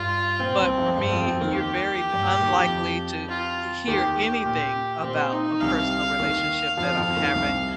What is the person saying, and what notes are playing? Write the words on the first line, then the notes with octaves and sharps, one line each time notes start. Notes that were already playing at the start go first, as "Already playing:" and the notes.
but for me, you're very d unlikely to e hear anything about a personal relationship that I'm having.
Already playing: G2 F4
A#2 C4
C2 C3
F2 F3
G2 G3 C4
F2 F3
F2 F3
D#2 D#3
G4
G2
A#2
D#2 D#3
F2 F3
F4
D#2 D#3 G4
G4
A#2
A#2 C4
D#4
C2 C3 F5
D#2 D#3
F2 F3 F5
F2 F3
D#2 D#3
C2 C3